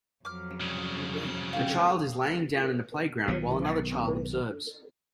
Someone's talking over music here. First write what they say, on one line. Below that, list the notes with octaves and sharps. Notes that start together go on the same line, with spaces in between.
A child is laying down in a playground, while another child observes.
F2 F#3 D6 F6
C2 C#3
F5 G5
B1 D#3 B3